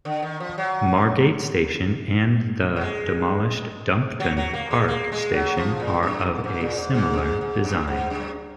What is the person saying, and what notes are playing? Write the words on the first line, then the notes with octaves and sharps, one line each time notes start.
Margate station and the demolished Dumpton Park station are of a similar design.
D3
D#3
F3
F#3
F#3
G#3
F#3
F#3
A#3
G#3
A#3
G#3
F#3
F3
A#2
F#2
G#2
G#2
A#2
G#2
G#2
F#2
G#2
G#2
F#2
G#2
F#2